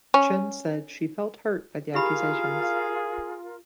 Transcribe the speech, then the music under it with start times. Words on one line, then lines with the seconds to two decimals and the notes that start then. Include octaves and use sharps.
Chen said she felt "hurt" by the accusations.
0.14 C#4
1.94 E4 F4 G4 G#4 A#4 F5 B5